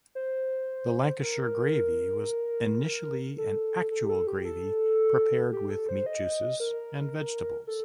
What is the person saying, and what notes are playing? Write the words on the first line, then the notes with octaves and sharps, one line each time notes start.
The "Lancashire Gravy" was initially an actual gravy prepared with meat juices and vegetables.
C5
A#4
A4
A4
G4
A4
G4
A4
G4
A4
C5
D#5
A#4
A4